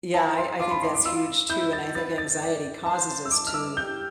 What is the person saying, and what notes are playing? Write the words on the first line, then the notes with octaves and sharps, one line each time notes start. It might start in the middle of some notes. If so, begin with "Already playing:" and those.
Yeah, I I think that is huge too, and I think anxiety causes us to
E4 A5
C6
F4 D6
B5
C6
D6
F4 E6
E4 G6
A6
B4 A6
A6
D5
C5 A5
E6
D6
F6
E6
G4 G6